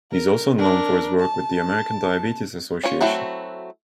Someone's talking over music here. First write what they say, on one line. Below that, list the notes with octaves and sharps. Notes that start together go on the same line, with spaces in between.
He is also known for his work with the American Diabetes Association.
A#4
D4 A#4
A5
C#4 F4 C#5
F#3 A3 C4 E4 F#4